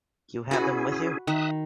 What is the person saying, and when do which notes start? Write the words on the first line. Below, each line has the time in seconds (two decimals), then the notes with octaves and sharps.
You have them with you?
0.51 C#4 E4 F#4 G#4 B4
1.27 D#3 E5 D#6 F#6